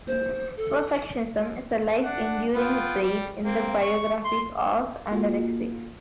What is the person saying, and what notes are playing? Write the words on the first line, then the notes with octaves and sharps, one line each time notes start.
Perfectionism is a life enduring trait in the biographies of anorexics.
C5
A4
D4 F#5
B3 F4 G5
G3
A#3 C4
C#6
C6
A#3 F4 F#4 A4